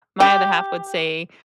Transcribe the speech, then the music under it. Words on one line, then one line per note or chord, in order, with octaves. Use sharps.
my other half would say,
G4